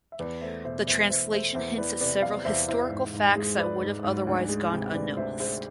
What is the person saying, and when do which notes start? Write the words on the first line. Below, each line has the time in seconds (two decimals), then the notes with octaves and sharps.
The translation hints at several historical facts that would have otherwise gone unnoticed.
0.12 E5
0.19 E2 B4 D5
0.41 A3 C5 E5
0.65 B2 C5 E5
0.87 E2 C5 E5
1.09 E2 C5 E5
1.32 A3 C5 E5
1.55 E2 C5 E5
1.77 E3 B4 D5
2.00 C3 B4 D5
2.22 E2 D5 F5
2.45 E2 C5 E5
2.68 E3 C5 E5
2.90 G#2
3.13 G#2
3.36 G#3
3.58 G#3 B4 D5
3.82 G#2
4.04 G#2
4.27 D2
4.49 G#3
4.71 C3
4.94 D2 B4 D5
5.17 D2 C5 E5
5.40 G#3 C5 E5